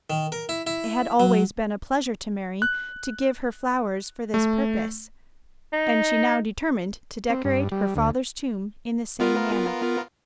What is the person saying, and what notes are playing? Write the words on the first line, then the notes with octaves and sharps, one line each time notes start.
It had always been a pleasure to Mary to give her flowers for this purpose, and she now determined to decorate her father's tomb in the same manner.
D#3
A#4
E4
E4
F#3
F#6
A3
D#4
C4
G2
G3
D2
B3 F4 A#4